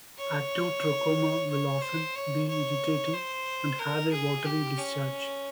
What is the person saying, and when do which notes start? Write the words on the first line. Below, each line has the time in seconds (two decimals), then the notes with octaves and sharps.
Active trachoma will often be irritating and have a watery discharge.
0.18 C#5
1.50 C#5
1.82 C5
2.15 C#5
2.48 C#5
3.14 C5
3.79 A#4
4.12 G#4
4.45 G4
4.78 C#4